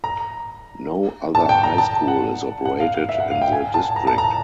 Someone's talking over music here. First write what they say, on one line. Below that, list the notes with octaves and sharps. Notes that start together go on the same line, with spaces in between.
No other high school is operated in the district.
A#5
A5
G5
A#5
A5
F#5
F#5
F5
F5
E5
F#5
F5
G5
G#5
A5
A#5
A5
A#5